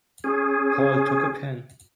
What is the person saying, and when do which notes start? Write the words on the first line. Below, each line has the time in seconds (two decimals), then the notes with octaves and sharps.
Paul took a pen.
0.24 C#4 G#4